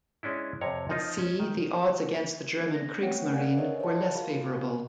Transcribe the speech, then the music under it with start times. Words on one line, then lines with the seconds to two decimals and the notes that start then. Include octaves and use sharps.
At sea, the odds against the German Kriegsmarine were less favorable.
0.23 G#3 C#4 D4 E4
0.61 F2 C3 C#5 A#5
0.91 F3 D#4 F4
1.19 C#4
1.40 D#3
2.74 A#6
3.01 A3 B3 C4 C#5 F#5 G5
3.32 A#4 D5 F5 F#5 G#5
3.57 G#4 A#4 B4 C#5 D#5 E5
3.80 C5 C#5 D#5 F#5 A5
4.15 F4 F#4 G#4 A#4 F5 B5